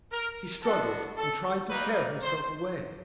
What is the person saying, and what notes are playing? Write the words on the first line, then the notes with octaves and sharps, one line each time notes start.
He struggled, and tried to tear himself away.
A#4
B3 D4 F#4 A4
A4
G3 A#3 D#4 B4
C5